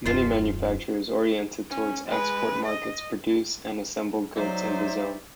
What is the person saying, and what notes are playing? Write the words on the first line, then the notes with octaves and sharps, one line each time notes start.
Many manufacturers orietentated towards export markets produce and assemble goods in the zone.
D#1 F#2 F4 C5
C#4
G#3 B4
D#5
F#3 D#4 C5 D5 E5